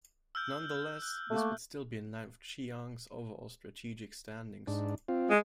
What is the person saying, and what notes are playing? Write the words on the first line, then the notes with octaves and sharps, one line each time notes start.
Nonetheless, this would still be in line with Chiang's overall strategic standings.
E6 F6 G6
F#6
A3 A#3
G#2 D4
C4 F4
G#3